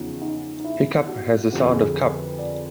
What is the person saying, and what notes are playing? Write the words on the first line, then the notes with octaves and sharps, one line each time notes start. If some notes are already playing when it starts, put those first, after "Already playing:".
Hiccough has the sound of "cup"......
Already playing: E2 C#3 F3 D#4
D#4
D#4
E4
F#4
F2 D3 F3 G4
G#4
A#4
B4
D5